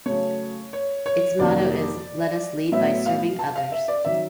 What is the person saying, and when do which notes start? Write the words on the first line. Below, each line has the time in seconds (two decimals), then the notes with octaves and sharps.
Its motto is Let Us Lead By Serving Others.
0.06 C#3 F#3 A3 C#5
0.73 C#5
1.06 C#5
1.39 F2 C3 D#3 G3 A#3 D5
2.72 A2 F#3 B3 E5
3.06 F5
3.39 A5
3.56 F5
3.72 E5
3.88 D5
4.05 D#3 F#3 E5